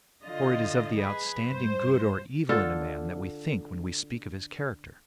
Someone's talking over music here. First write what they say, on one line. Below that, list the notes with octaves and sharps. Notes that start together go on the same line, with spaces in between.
For it is of the outstanding good or evil in a man that we think when we speak of his character.
D3 F4 D#5
G#4 B4
G2 C5
D3 F4 A4